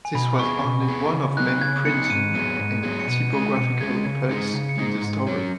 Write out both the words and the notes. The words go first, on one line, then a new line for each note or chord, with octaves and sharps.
This was only one of many printing and typographical puns in the story.
G#5
B2 B5
B3 G#4 C#6
B2
B3 G#4
C#3
B3 D#4 F#6
C#3 G#6
B3 D#4 C#7
C#7
G#2 D#7
F#3 B3 G#4 D#7
G#2
F#3 B3 G#4
C#7
B2 D#7
G#3 C#4 G#4 D#7
B2 C#7
G#3 C#4 G#4 G#6
C#3 G#6
G#3 D#4 G#4 C#7
C#3
C#7
G#3 D#4 G#4
G#2
F#3 C#4